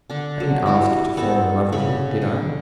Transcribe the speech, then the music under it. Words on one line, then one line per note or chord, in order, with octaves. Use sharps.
I didn't ask you to fall in love with me, did I?
D3 D4
F#3
G3 E4 F#4
B3 C4 F#4 A4
C#3 B5 C#6
D3